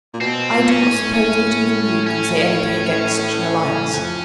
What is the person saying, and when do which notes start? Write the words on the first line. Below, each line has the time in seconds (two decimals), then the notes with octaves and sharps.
I do not suppose that even you can say anything against such an alliance.
0.13 A#2
0.20 B2 C4
0.51 A#2
0.67 C#4
0.82 A2
1.14 A2 C#4
2.07 C#4
3.93 F2